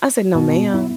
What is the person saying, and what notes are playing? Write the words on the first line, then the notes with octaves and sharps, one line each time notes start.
I said, "No, ma'am."
B2
E4